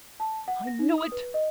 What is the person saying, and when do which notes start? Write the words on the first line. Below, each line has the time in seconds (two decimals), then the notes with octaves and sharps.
I knew it.
0.20 A5
0.48 F#5
0.67 A#6
0.79 D#4
0.98 D#6
1.12 B4
1.34 D#5